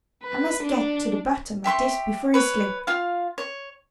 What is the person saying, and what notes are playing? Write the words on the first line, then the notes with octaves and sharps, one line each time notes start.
'I must get to the bottom of this before I sleep!
B4
D4
G4 E5 C6 C#6
B4 C#5
F4 F5
C#5